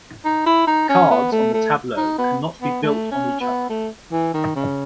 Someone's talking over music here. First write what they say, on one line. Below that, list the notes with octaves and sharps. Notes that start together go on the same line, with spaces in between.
Cards on the tableau cannot be built on each other.
D#4
E4
D#4
C#4
B3
A3
A3
D#4
B3
B3
A3
C#4
B3
A3
E3
D#3
C#3